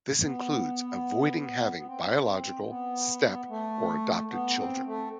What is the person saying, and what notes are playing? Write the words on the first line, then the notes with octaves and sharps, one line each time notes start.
This includes avoiding having biological, step, or adopted children.
B3
B3
C4
B3
A3
B3
C4
A3